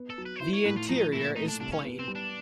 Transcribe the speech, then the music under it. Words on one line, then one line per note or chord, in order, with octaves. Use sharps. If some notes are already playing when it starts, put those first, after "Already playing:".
The interior is plain.
Already playing: B3
A4
F#3
B4
C#5
E4 C5
C#5
A2 B4
F4
F3 D#4
A#2 E4
A3 D#4
D4
C2 D4
C#4
B3
C4
G3
D4